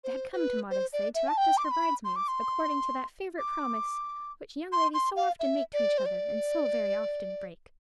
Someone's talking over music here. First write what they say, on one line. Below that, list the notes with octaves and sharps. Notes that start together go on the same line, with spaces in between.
They had come to Maudesley to act as her bridesmaids, according to that favourite promise which young ladies so often make to each other, and so very often break.
C5
C5
B4
C5
D5
E5
A5
G5
D6
C6
B5
C6
D6
C6
D6
C6
C6
F5
E5
D5
C5
D5